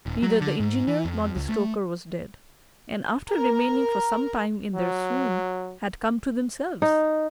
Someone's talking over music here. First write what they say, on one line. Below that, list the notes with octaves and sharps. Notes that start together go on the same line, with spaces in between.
Neither the engineer nor the stoker was dead, and, after remaining for some time in their swoon, had come to themselves.
D#1
F#3
D3
G#2
E3
F2
C#2
A3
A#4
F#3
D#4